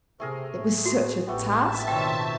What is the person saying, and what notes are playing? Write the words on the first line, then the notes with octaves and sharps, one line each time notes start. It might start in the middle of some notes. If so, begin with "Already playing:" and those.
It was such a task!
C3 A3 G#4 A#4
A2
F#4
A1 A3 B3 G4
E5 A5
B2 D#3 C4 F4 C#5 G5